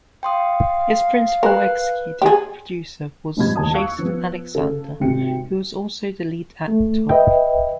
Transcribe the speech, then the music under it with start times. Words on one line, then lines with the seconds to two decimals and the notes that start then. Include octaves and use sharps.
Its principal executive producer was Jason Alexander, who was also the lead actor.
0.23 F5 G5 C6 D#6
1.43 A#4 B4 F#6
2.22 G4 G#4
3.37 A#1 G#2 B2 G3 B5 G#6
3.56 D#2 A5 D#6
3.74 F5 C#6 E6 F#6 C#7
3.98 F3 B3
4.55 C#3 A4
5.00 G#1 C3 G5 C#7
6.68 A3
7.09 B4 D#5 E5 G5